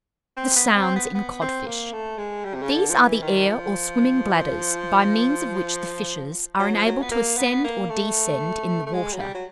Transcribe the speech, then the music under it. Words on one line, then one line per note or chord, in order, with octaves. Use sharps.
THE SOUNDS IN CODFISH.--These are the air or swimming bladders, by means of which the fishes are enabled to ascend or descend in the water.
C4
B3
C4
B3
B3
C4
A#3
A3
G#3
G3
C3
C#3
D3
F3
E3
D#3
F3
F#3
F3
F#3
B3
A#3
B3
A#3
A3
A3
G#3
F#3
G3
F#3